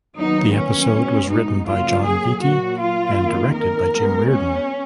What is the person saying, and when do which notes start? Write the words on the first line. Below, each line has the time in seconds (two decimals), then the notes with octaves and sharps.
The episode was written by Jon Vitti and directed by Jim Reardon.
0.17 D#2 D#3 F#3 B3 D#4
0.54 C#4
0.92 B2 G#3 B3
1.30 D#4
1.67 F#2 C#3 F#3 A#3 F4
2.05 G#4
2.42 A#2 F#3 A#3 F#4
2.81 F4
3.18 F2 D#3 A#3
3.55 A#4
3.92 B2 G#3 B3
4.30 C#4